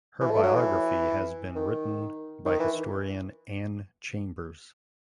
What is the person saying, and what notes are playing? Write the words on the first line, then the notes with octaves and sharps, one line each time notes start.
Her biography has been written by historian Anne Chambers.
E3
A3
F#3
E3
D#3
D#3
E3